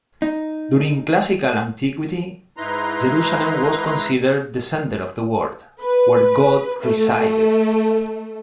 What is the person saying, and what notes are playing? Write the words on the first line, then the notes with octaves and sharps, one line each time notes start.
During classical antiquity, Jerusalem was considered the center of the world, where God resided.
D#4
G#2 D#4 E4 B4 A#5 C6
B4
A3